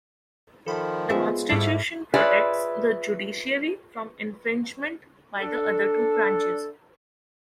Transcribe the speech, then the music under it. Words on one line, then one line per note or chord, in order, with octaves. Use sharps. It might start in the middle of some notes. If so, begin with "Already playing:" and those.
The constitution protects the judiciary from infringement by the other two branches.
D#3 F3 A4 B5 C6
G#3 B3 F4 C5 E5
G#2 G3 A3 E4 A4
F4 G#4 B4 C#5 D5 E5
D4 A4